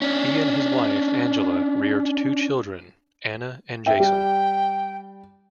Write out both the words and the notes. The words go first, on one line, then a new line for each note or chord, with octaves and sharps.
He and his wife, Angele, reared two children, Anna and Jason.
C#4 D4
E5 G5
G3 G5